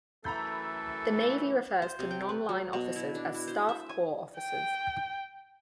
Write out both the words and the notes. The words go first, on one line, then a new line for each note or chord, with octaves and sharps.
The Navy refers to non-line officers as Staff Corps officers.
F#2 E3 A3 A4 A#5 B5 G6
C5
C3
G5
B4
F#3
B2
E4
D4
E4
C5
E5
G#5
G5